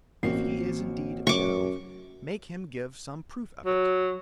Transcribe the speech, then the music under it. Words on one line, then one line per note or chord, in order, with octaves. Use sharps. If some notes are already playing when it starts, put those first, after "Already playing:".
If he is indeed Jove, make him give some proof of it.
A1 A#3 C4 F#4 C7
F#2 C#6 D6
F#3